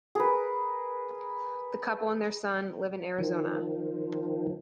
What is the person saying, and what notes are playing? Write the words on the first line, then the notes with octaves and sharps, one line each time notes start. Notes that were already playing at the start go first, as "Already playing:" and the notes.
The couple and their son live in Arizona.
G#4 A#4 B4
D#3 F3